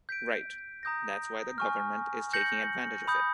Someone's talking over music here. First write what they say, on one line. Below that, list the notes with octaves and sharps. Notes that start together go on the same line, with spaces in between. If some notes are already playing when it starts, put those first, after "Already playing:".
Right. That's why the government is taking advantange of it.
G6 B6 D7
A#5 D#6 G6 A#6
G#5 C#6 F6
G6 A#6 C#7 F#7
B5 D#6 G6